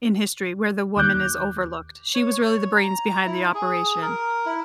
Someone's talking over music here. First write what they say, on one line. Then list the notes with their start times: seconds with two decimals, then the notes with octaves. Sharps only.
in history, where the woman is overlooked. She was really the brains behind the operation,
0.97 D#2 D6 F#6 G6
2.14 C#5
2.41 C#5
2.76 A#5
3.26 E4
3.55 G#4
4.02 A#4
4.46 E4